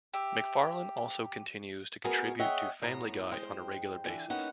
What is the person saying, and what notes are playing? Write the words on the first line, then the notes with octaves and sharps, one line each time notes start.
MacFarlane also continues to contribute to "Family Guy", on a regular basis.
G4 E5
A3 B3 F#4 G#4 A#4 G#5
G#4 C#5 D#5 E5 F#5 G5
E2 A2 B3 A#5
G#3 C5 G5
D3 E3
A#3 B3 C#4 D#4 F#5